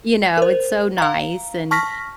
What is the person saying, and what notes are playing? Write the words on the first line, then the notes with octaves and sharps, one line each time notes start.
you know, it's so nice, and,
A#4 C5
F5 A#5
A5 C#6 F6 A#6 B6